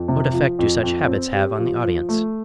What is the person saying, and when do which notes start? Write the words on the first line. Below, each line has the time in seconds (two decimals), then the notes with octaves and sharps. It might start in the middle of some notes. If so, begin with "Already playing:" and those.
What effect do such habits have on the audience?
Already playing: F2
0.08 C3
0.33 F3
0.59 F2
0.83 F2
1.08 C4
1.33 G4
1.58 F3
1.83 F3
2.09 A3